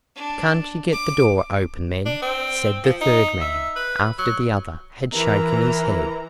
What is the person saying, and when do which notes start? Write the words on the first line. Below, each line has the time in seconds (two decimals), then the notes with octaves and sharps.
"Can't you get the door open, then?" said the third man, after the other had shaken his head.
0.16 D4
0.92 D6
2.06 D4
2.22 C4
2.84 F3
3.01 D#4
3.41 E5
3.76 B4
4.18 F#3
5.13 E3 A#4 A#5